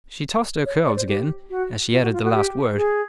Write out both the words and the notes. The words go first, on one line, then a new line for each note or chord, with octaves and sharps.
She tossed her curls again, as she added the last word.
C#5
D5
C5
G4
F#4
F4
F#4
F4
F#4
G4
G#4